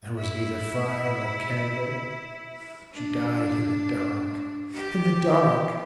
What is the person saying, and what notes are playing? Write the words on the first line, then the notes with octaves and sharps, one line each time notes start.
There was neither fire nor candle; she died in the dark--in the dark!
E4
D4
G4